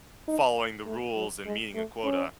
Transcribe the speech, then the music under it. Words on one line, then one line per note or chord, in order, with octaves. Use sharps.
following the rules and meeting a quota.
D#4
A3
F#3
G#3
A3
C#4